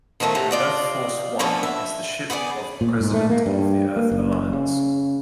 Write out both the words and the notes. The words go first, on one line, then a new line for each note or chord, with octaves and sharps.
"EarthForce One" is the ship of the President of the Earth Alliance.
D#3 F3 F#3 A3 C4
A2 C3 F#3 A3
F4 D5 D#5
D2 D3 A#3 B3 C#4 A4
E5
B3 G#4 C#5 D5
A#2
G#2
A3
A#3
G2
A#3
F#1
C#3